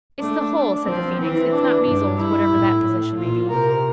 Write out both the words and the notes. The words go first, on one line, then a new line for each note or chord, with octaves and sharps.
'It's the hole,' said the Phoenix; 'it's not measles whatever that possession may be.'
A3 D4
D4
F3 C4
E3 C4
D4
G2 D4
E4
A2
A#2 F4
C3 A#4